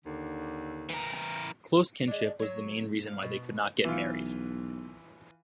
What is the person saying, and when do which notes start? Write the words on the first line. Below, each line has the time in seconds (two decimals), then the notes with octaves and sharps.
Close kinship was the main reason why they could not get married.
0.05 D#2 D3
0.89 E3 A#4
2.07 G#3 D4
2.39 F#3 C#5
3.07 F5
3.22 B2
3.85 B1 E3 F4